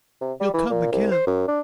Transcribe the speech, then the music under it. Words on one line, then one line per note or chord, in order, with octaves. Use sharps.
"You'll come again?"
C3
G3
E3
A#2
C2
C5
F#2
D4